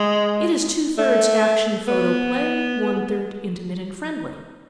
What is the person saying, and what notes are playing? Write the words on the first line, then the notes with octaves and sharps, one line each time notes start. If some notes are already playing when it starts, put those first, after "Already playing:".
It is two-thirds Action Photoplay, one-third Intimate-and-friendly.
Already playing: G#3
A3
B3